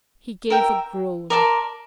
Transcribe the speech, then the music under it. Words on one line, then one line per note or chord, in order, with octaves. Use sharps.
He gave a groan.
A#4 E5 G5
A#4 D5 A5 C6